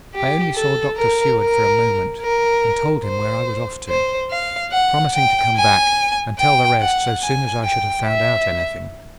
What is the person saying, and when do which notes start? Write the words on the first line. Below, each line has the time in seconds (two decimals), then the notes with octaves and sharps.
I only saw Dr. Seward for a moment, and told him where I was off to, promising to come back and tell the rest so soon as I should have found out anything.
0.14 G4
0.55 A4
0.96 A#4
1.39 A#4
2.22 A#4
3.05 C5
3.88 C5
4.30 F5
4.72 F#5
5.14 G5
5.56 G#5
6.38 G5
6.81 F#5
7.22 G#5
7.64 G5
8.05 E5